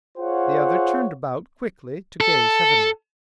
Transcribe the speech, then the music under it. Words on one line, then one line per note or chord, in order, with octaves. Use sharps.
The other turned about quickly to gaze heavenward.
F4 G#4 C5 C#5 F5 F#5
A4